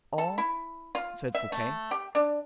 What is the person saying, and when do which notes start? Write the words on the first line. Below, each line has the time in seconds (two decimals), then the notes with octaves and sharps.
"All?" said Fouquet.
0.18 A4
0.38 E4
0.95 F4
1.35 E5
1.52 A3
1.91 G4
2.15 D4